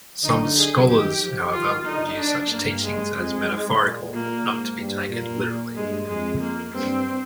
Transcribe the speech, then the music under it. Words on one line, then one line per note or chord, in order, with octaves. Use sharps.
Some scholars, however, view such teachings as metaphorical, not to be taken literally.
D3 D#4
G#4
D#3 G4
F3
D#3 F4
D3 D#4
D4
G2 A#3
G#3
F2 G#3
G#2
A#2
A#2 A#3
G#2
G2
A#2 A#3
G2 G#3
F2 G#3
A#3
G2 C4